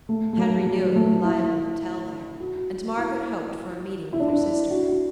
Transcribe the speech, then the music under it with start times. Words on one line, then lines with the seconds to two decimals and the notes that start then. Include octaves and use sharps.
Henry knew of a reliable hotel there, and Margaret hoped for a meeting with her sister.
0.09 A3
0.33 A3
0.38 F#3
0.67 F#3
0.96 A3
1.24 E4
2.40 F#4
2.98 E4
4.13 E4
4.20 D4
4.28 E4
4.71 F#4